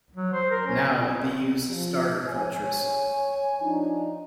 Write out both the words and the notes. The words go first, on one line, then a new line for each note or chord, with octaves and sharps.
Now, they use starter cultures.
F#3
C5
A#4
C#4
F3
C#5 G#5
F3 D4 D#4